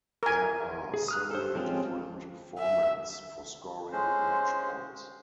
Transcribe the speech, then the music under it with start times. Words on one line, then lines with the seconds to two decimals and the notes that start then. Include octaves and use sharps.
There are several different formats for scoring match points.
0.23 A#4 G#5
0.94 G#4
1.08 D#6 F6 F#6
1.31 A4 C5
1.55 F3 G#3 C4 C#4 F4
2.59 E5
3.92 G#3 C#4 C5